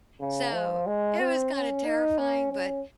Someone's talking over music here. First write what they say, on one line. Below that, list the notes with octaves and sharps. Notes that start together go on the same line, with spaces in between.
So it was kinda terrifying, but
C#3
F3
G#3
C4
C#4
D#4
C#4
C#4